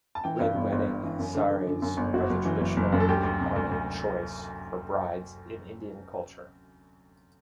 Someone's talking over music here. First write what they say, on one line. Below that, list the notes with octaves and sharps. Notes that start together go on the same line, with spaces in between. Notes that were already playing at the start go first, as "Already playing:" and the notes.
Red wedding saris are the traditional garment choice for brides in Indian culture.
A5
E3 G5
G2
G1
G1
G1
E3
F#2
D3
D3
D3
F#2
G1
F#1 F#4
F#1
E3
F#1
F#1
F#2
A4
D2 G4
D2
C3
D2
D2